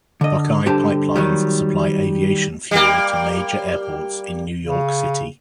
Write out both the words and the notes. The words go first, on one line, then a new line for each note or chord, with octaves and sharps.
Buckeye pipelines supply aviation fuel to major airports in New York City.
D3 D#5
G2 D3 G4 C5 A5
D#3 F#3 G3
G3 A#3
C#3